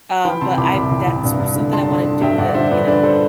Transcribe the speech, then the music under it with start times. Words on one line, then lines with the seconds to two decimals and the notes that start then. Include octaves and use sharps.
um, but I that's s something I wanna do to, you know
0.25 E3 G5 B5
0.41 C3 A5 C6
0.57 C2 B5 D6
0.74 C2
0.90 C2
1.07 C2
1.24 G2
1.40 G2
1.56 D3
1.73 D3 A5 C6
1.89 D3
2.05 D3
2.22 G2 E5 G5
2.38 G2 D5 F#5
2.48 D5
2.54 D3 C5 E5
2.71 G2 B4 D5
2.87 D3 B4 D5
3.03 D3 A4 C5